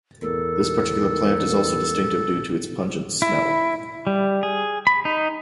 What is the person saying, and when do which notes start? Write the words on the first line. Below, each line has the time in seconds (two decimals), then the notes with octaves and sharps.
This particular plant is also distinctive due to its pungent smell.
0.22 E2 A4 A#4
3.22 E4
4.07 G3
4.43 G#4
4.87 B5
5.05 D#4